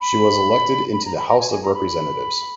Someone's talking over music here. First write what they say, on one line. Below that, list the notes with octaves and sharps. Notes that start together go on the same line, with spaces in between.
She was elected into the House of Representatives.
B5
B5
A#5
B5
A#5
G#5
G#5
A#5
B5